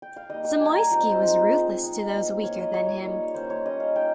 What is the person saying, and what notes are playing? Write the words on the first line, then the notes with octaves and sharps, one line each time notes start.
Zamoyski was ruthless to those weaker than him.
G5
F5
G3 A#3 D#4 D#5
G5
G3 A#3 D#4 G#5
A#5
G#5
F3 G#3 C4 D#4 G5
D#5
C5
F3 G#3 C4 D#4
G#3 C4 D#4
G#3 C4 D#4
A#3 F4
A#3 F4 C#5
D#5
G3 A#3 D#4 C#5
G3 A#3 D#4
G3 A#3 C#4 C5
C#5
G3 A#3 C#4 D#5
F5
A#3 D#4 G5